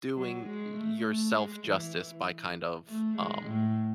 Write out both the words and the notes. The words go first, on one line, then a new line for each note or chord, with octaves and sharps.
doing y y yourself justice by kind of, um,
F#3
G#3
A3
A3
G#3
E3
A3
G#3
A2